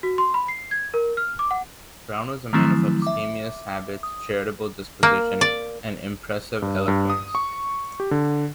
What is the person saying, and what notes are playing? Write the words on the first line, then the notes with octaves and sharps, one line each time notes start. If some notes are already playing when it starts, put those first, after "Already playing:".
Browne was a man of abstemious habits, charitable disposition, and impressive eloquence.
F#4
C6
B5
C7
G#6
A#4
F6
D6
F#5
D#3 F3 F#3 A3 C4 E4
E5 D6
D#6
A#3
D5
G2
G2
D#6
C#6
G4
D3